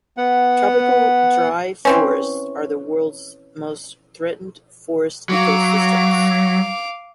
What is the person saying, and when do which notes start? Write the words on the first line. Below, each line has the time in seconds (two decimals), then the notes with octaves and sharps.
Tropical dry forests are the world's most threatened forest ecosystems.
0.17 B3 F#5
1.85 E3 C4 C#4
5.29 F#3 F5 D6